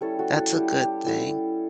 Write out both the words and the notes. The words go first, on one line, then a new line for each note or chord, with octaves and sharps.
that's a good thing,
G3 C#4 E4 A4 C#5
F#4 A4
F#4 A4
G3 C#4 E4 G4
G4
G3 C#4 E4 F#4 A4